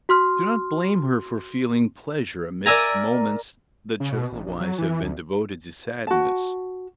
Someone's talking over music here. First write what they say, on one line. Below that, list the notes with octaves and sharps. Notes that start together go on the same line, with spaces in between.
Do not blame her for feeling pleasure amidst moments that should otherwise have been devoted to sadness.
F#4 C6 F6
A#4 D5 E5 G#5 A#5
C#3
B2
A1
A#1
F#3
E3
D2
F#4 A5